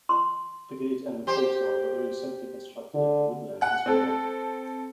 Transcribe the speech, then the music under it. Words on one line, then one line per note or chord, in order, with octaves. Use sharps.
The gate and the courtyard are very simply constructed and the woodland is real.
C6
G4 C5
D3
F#5 F#6
C4 A4